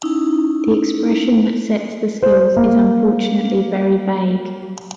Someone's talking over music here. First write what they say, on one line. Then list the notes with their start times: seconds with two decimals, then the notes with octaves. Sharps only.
The expression that sets the skills is unfortunately very vague.
0.03 C#4 D#4 E4
2.23 C5
2.57 A#3